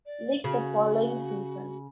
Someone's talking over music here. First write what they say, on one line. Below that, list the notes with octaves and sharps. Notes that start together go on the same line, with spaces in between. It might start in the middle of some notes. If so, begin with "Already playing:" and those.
Lig the following season.
D5
C#3 F#4